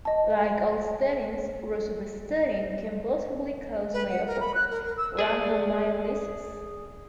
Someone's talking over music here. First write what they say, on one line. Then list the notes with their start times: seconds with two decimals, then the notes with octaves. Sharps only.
Like all statins, rosuvastatin can possibly cause myopathy, rhabdomyolysis.
0.05 D#5 A5
3.93 B4
4.10 F#5
4.26 A#4
4.40 B5
4.54 F#6
4.71 A#4
4.84 A#4
4.97 E6
5.19 G#4 D5